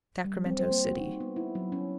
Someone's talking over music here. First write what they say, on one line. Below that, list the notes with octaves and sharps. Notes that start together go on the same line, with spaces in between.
Sacramento City.
G3
C4
C5
A#3
F#4
D#4
B3
E4
F#3
C#4